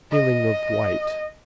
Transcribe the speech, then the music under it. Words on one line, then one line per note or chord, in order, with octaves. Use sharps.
Feeling of white.
D#5